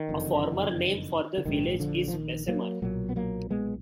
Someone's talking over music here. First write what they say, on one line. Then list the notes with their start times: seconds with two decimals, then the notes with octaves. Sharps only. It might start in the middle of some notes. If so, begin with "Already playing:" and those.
A former name for the village is Bessemer.
Already playing: D#3
0.09 F#1 F2 D3
1.38 D3
1.46 A#1 G#2 D#3
1.80 D3 F3
2.08 F3
2.14 D#3
2.48 F#3 A#3
2.82 B1 A#2 F#3 A#3
3.09 B3
3.16 F#3 A#3
3.50 G#3 B3